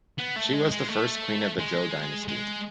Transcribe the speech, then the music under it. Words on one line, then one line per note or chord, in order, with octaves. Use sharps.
She was the first queen of the Zhou dynasty.
B3
A3
G#3
G#3
A3
G#3
G#3